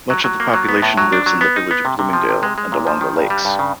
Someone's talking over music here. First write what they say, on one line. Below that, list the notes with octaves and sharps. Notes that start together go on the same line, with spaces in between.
Much of the population lives in the village of Bloomingdale and along the lakes.
F#3
F#3
A#3
F#3
B3
A2
F#3
D4
F#3
B3
D#4
B3
C3
C3
F3
C3
G#3
G#3
A#2
F3
D#3
G2
G3
G2
C#3